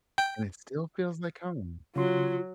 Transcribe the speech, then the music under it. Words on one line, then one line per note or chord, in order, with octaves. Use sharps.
And it still feels like home.
G5
C#3 F#3 F4 C6